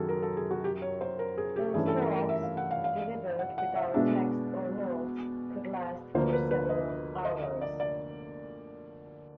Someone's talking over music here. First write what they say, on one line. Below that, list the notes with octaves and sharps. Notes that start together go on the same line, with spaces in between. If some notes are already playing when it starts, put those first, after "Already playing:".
Those talks, delivered without text or notes, could last for several hours.
Already playing: F#2 D#3 F#3 G#4 A4
A#4
A4
G#4
F#4
G4
C#5
C5
A#4
G#4
G4
G2 E3 A3 C#4 G#4
A4
A#4
A#4
E5
F5
F#5
F5
F5
F#5
F#5
E5
B2 G#3 B3 D4 E5
D2 D3 F3 A#3 C5
B4
B4
D#5
D#5
D#5
D5
D5